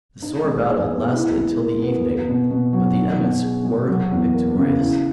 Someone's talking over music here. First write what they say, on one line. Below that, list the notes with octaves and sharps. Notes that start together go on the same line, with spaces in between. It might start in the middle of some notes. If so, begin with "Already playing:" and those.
The sore battle lasted till the evening but the emmets were victorious.
D#4
G#3
G#4
B3
E4
G#3
A#4
B3
B3
B2
B2
F#3
D#4
B2
G#4
G#3
F#3
E2
A#3
C#3
E4